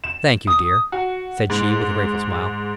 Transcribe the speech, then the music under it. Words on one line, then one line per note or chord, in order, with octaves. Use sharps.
"Thank you, dear," said she, with a grateful smile.
E7
D#6
F#4
G#2